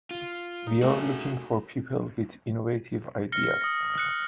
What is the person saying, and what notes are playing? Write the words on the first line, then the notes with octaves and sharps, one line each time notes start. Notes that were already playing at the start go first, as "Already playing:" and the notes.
We are looking for people with innovative ideas.
F4
D#4
A3 D#4 F#4 G#4
F6 A#6 C#7 G7
D#6 A#6
F#6 C#7